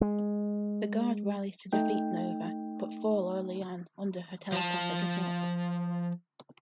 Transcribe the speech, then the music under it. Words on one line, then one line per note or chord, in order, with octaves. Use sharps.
The Guard rallies to defeat Nova but fall early on under her telepathic assault.
G#3
A3 D#4 G5
F3 A5